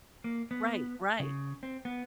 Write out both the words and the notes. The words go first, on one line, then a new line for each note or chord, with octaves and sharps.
Right, right.
A#3
B3
C#3
C4
B3